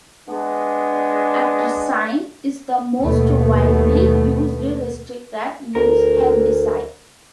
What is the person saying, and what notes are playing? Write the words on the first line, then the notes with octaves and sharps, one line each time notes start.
Atrazine is the most widely used restricted-use herbicide.
G#3 B3 D4
D#2 B2 A3 B3
D2 A#4